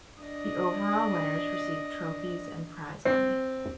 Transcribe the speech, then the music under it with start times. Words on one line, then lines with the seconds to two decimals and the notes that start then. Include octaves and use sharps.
The overall winners receive trophies and prize money.
0.21 D4 D#5
3.05 C4